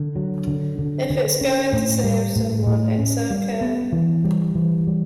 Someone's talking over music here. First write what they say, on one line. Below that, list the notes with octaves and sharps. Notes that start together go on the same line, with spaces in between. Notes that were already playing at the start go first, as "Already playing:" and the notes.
If it's going to save someone, it's okay.
Already playing: D3
F#3
D3
D3
D3
C#4
A2
G3
A2
A2
C#4
G3
B3
E3
G3
E3
G3